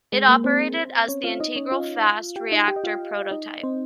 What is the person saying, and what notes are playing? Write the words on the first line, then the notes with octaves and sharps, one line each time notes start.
It operated as the Integral Fast Reactor prototype.
G#3 G#4
A#3 A#4
C4 C5
C#4 C#5
F4 F5
D#4 D#5
C#4 C#5
F4 F5
G4 G5
D#4 D#5
G4 G5
D#5
F4 F5
D#4 D#5
C4 C5